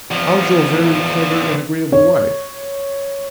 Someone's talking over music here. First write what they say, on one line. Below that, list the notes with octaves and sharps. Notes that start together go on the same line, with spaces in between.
How's your very clever and agreeable wife?
E2 F3
C#5